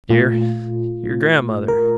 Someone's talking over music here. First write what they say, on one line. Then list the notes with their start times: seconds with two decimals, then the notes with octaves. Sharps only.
"Dear," your grandmother.
0.10 A#2 A3 F4
1.68 A#4